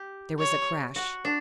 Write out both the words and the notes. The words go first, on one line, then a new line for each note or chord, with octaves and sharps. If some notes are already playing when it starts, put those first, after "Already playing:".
There was a crash!
Already playing: G4
C#5
F#4
D4